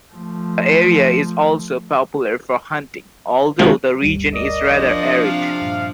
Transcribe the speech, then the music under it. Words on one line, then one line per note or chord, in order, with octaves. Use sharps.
The area is also popular for hunting, although the region is rather arid.
F3 A3
C3 D#3 F3 G#3 F#4
G1 D2 G3
A#4 D5 D#5
F3 D4
C3 C4 F5
G2 A#2